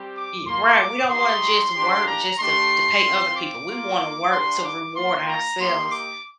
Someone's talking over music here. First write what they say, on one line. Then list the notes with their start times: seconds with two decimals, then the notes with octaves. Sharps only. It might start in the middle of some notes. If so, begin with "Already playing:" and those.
Ye right. We don't wanna just work just to to pay other people. We wanna work to reward ourselves.
Already playing: G3 C4 G4
0.14 D6
0.46 A#3 F4 C6
0.78 D6
1.11 A3 D#4 G4 C6
1.75 A#3 D4 G4
2.07 A#5
2.38 A3 D4 G4 C6
3.03 C4 F4
3.35 D6
3.67 A#3 F4
4.32 G3 A#3 D4 C6
4.64 D6
4.96 A#3 F4 C6
5.28 A#5
5.60 A#3 D#4 G4 C6
5.92 D6